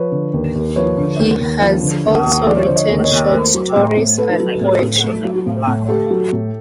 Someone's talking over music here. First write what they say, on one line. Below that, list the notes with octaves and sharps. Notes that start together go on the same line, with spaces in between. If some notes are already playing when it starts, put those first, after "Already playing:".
He has also written short stories and poetry.
Already playing: F3 B4 C#5
D3
D#2
D#2
F3 B4 C#5
D3
D#2
D#2
F3
D3
D#2
D#2
F3 D5
C#5
D3 C5 D5
C#5 D#5
D#2
C#5 D#5
D#2
A3 A#4 C5
F#3
A2
A2
A3 A4 B4
F#3
A2
A2
A3
F#3
A2
A2
A3 G4 A4
F#3
A2